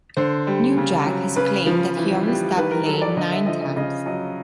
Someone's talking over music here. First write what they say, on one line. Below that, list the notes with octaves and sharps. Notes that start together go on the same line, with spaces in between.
New Jack has claimed that he only stabbed Lane nine times.
D3 C5
G3
C#3
F#3
C#3 B4
F3
E3
G3
D#3 B4
A#4
F#3 A4
D5
D3 D#5
E5
F3 D#5
D#5
C#3 D#5
F#3 D#5